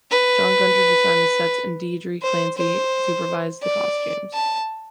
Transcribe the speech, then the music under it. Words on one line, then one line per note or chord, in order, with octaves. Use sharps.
John Gunter designed the sets and Deirdre Clancy supervised the costumes.
B4
C5
C5
D5
A5